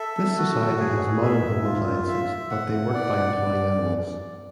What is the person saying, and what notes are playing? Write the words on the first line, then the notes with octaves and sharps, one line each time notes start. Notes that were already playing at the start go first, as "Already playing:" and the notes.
This society has modern home appliances, but they work by employing animals.
Already playing: A4 E5
F#4
G#4
E5
F4
E5
F#5
D5